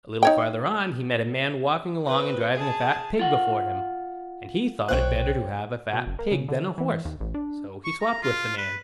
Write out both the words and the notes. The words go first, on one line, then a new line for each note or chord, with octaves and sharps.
A little farther on he met a man walking along and driving a fat pig before him, and he thought it better to have a fat pig than a horse, so he swopped with the man.
D#4 C#5 G5
C4 B4
G#4 A5
F4 F#5
B1 C5 C#5 G5 F#6
B2
F#1
A#3
C#3
D3
E3
D#2
A1
D4
C#6
A#5
F4
B4